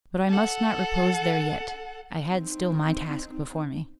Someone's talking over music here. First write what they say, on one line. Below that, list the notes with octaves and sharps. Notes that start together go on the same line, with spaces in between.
But I must not repose there yet; I had still my task before me.
A4 F#5
C4 D#4